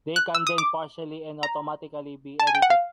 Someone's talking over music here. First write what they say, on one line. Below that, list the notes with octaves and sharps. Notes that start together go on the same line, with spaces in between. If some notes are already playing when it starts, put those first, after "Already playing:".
They can then partially and automatically be edited.
F#6
E6
D#6
D6
A#5
A5
G#5
G5
F#5
F5